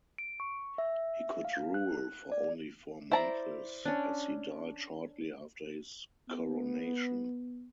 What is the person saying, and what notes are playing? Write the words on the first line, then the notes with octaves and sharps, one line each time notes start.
He could rule for only four months, as he died shortly after his coronation.
D7
C#6
E5
F5
F#6
D5
E4 C5 D5 A5 A#5
C#4 D4
B3